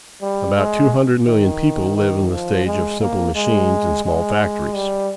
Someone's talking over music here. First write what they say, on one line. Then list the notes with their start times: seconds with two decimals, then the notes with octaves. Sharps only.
About two hundred million people live in the stage of simple machines and small factories.
0.22 G3
0.57 G#3
1.26 D#3
1.96 D#3
2.31 F3
2.66 G#3
3.01 A#3
3.35 G#3
4.05 G#3
4.74 G3